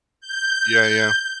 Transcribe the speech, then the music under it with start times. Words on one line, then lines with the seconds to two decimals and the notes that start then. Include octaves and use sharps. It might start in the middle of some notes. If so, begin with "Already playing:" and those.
Yeah, yeah.
0.21 G6